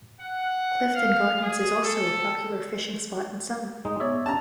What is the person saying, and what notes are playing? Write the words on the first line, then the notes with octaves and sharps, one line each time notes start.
Clifton Gardens is also a popular fishing spot in summer.
F#5
F5
G#4
A4
G#3 D#4
B3 C#5 D5 E5
C#4 A5 A#5